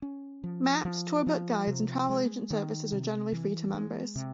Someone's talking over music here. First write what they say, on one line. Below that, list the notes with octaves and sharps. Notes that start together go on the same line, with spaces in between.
Maps, TourBook guides, and travel agent services are generally free to members.
C#4
F3
F3
F3
C3
G#3
D#3
C3
E3
G#3
C3